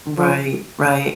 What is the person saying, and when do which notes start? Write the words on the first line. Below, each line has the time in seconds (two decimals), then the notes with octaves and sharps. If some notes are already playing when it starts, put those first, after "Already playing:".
Right, right.
0.17 F3